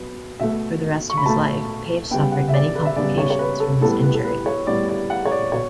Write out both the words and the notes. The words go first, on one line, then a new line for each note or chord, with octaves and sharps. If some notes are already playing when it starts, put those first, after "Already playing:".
For the rest of his life, Page suffered many complications from his injury.
Already playing: B2 F#3 B3
B2 A3 E5
C#6
B5
B2 A3 A5
C#3 G3 B3 G5
F#5
E5
D5
B4
E5
C#3 G3 B3 D5
C#5
C#5
B4
A4
A2 G3 B3 A4
B4
A4
B4
C#5
A2 G3 B3 D5
D5
F#5
C#5
D5
B2 C#5